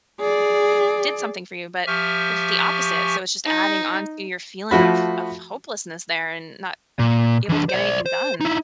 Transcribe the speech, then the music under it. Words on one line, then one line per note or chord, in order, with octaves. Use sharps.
did something for you. But but it's the opposite. So it's just adding onto your feeling of of hopelessness there and not ab able to get anything done.
G#4 D5
F3 G4 E5 G#5 C#6 F6
D#4
F3 A3 F#4 B5
A#2
E3 D4
C5 D5
C5
D#4 E4